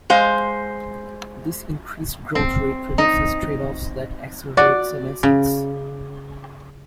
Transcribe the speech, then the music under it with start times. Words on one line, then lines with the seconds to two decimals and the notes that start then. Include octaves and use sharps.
This increased growth rate produces trade-offs that accelerate senescence.
0.10 G#3 C5 F5
2.35 C4
2.98 D#4
4.57 F#4 D5
5.23 C#3